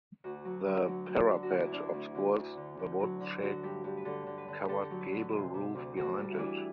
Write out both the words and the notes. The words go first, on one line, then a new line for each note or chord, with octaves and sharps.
The parapet obscures the wood shake covered gable roof behind it.
D2 F#4
F#3
D3
F#3
F#3
D3
F#4
D2 E4
E4
D3 D4
D2 E4
D3
D2
D3
D3
F#3
D3
D3 F#4
G2 G4
G2 G4
B4
D3 A4
D3
B4
D3
G4
D3 A4
F#3
B4
D3
C3
C3
D2
D2 F#4
G3
E4
E3 D4